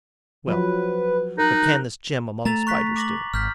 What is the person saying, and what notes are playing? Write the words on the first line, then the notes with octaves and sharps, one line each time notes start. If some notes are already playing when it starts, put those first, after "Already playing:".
Well, what can this gem among Spiders do?
F3 F#3 B4
D#4 A#4 F#6
A3 A#5 A6 F7
C#6 F#6 B6
D6 A#6 F#7
G#1 F6 G6 B6